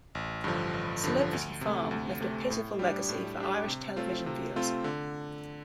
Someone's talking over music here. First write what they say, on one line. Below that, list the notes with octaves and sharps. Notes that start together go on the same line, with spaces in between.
"Celebrity Farm" left a pitiful legacy for Irish television viewers.
A1
G2 D3 F3
A1
G2 D3 F3
D2
C3 A3
D2
C3 A3
A2
G3 D4 G4
A2
G3 D4 G4
C3
A3 C4 F4
C3
A3 C4 F4
D3